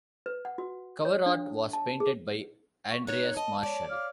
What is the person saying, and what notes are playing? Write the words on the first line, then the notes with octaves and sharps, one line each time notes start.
Cover art was painted by Andreas Marshall.
B4
F#5
F#4
C#5
D4
A5
G#4
C#6
D#4 C#5 F#6
D#5 A5
C#5 D5
F5 D6 F6